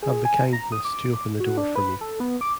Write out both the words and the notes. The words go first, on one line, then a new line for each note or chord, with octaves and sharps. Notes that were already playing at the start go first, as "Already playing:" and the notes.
Have the kindness to open the door for me.
G#4
G#5
A#5
D#6
D6
F#4
D4
B4
A4
B3
D6